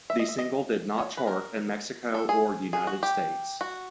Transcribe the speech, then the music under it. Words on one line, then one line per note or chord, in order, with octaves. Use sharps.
The single did not chart in Mexico or United States.
E5
D#5
E5
D#5
C#5
B4
A#4
A4
G#4
G#4
F#4
G4
F#4